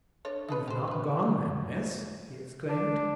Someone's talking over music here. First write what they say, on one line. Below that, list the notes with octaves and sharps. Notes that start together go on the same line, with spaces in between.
"You've not gone, then, miss?" he exclaimed.
D4 A4 C#5
D#4 A4 B4
G4 C5
D4 B4
D4